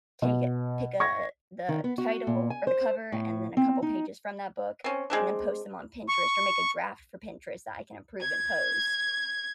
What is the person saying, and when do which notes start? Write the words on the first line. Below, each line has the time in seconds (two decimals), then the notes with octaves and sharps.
take it pick a the title, or the cover, and then a couple pages from that book, and then post them on Pinterest, or make a draft for Pinterest that I can approve and post.
0.22 B2
1.00 C#6 G#6 A#6
1.69 D#3
1.84 B3
1.98 F#4
2.27 A#2
2.50 G#5
2.67 C5
3.12 A2
3.57 C4
3.82 D#4
4.84 C4 C#4
5.10 G#3 C4 D4
6.09 C#6
8.21 G#6